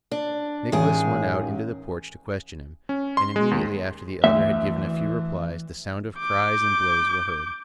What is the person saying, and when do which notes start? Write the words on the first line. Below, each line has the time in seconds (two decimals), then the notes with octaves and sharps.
Nicholas went out into the porch to question him, and immediately after the elder had given a few replies the sound of cries and blows were heard.
0.12 D4
0.72 A1 D#3 G#3 G#4
2.89 C#4
3.17 C6
3.36 G#3
3.51 D#2
4.24 D2 E3 E5
6.19 D6 G6